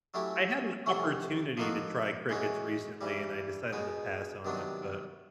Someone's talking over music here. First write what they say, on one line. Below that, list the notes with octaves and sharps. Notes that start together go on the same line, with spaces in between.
I had an opportunity to try crickets recently and I decided to pass on it, but
F#3 A3 C#4 E4 G4
F2 C3 E3 A3 C#4
F3 A#3 D#4 F#4 A4
E3 G#3 C#4 F#4
G2 E3 G3
B2 G#3 B3
C3 D#3 F#3 B3 D4